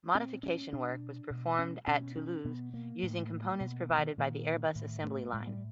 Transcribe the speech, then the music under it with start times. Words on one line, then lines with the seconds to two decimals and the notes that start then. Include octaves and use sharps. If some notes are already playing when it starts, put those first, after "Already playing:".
Modification work was performed at Toulouse using components provided by the Airbus assembly line.
0.15 A#2 C4
0.43 C#4
0.73 B2 D4
1.30 B2
1.59 C#4
1.87 B2 C#4
2.16 C#4
2.44 B2 B3
2.74 A#3
3.03 A2
3.60 B2
3.90 E3
3.98 D#3
4.18 A#2 D#3
4.75 A2
5.04 A3
5.33 A2 G#3
5.47 G3